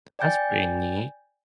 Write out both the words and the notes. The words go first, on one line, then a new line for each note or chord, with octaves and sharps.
That's pretty neat
D5 G5 G#5 G6 A6